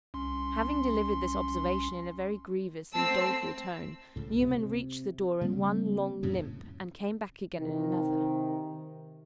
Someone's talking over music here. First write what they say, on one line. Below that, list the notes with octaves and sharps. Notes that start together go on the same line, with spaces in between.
Having delivered this observation in a very grievous and doleful tone, Newman reached the door in one long limp, and came back again in another.
C2 C#4 C6
A3 C4 A5 E6 C7
C#2 A2
C3
C#3 G3 A#3 C4
F2 A2 C#3
C3 D#3